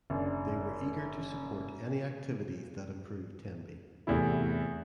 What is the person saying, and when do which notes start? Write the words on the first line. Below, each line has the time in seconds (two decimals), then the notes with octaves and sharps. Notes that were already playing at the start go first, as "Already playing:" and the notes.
They were eager to support any activities that improved Tenby.
0.10 F#1 D4
4.07 E2 A2 C3 E4